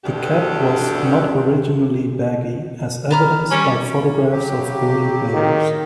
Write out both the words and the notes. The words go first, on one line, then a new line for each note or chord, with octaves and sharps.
The cap was not originally baggy as evidenced by photographs of early players.
D2 G2 B2 A3 D4 G4
B3 A#5 F6
G3 C#4
C#3 F#3 G4
D#3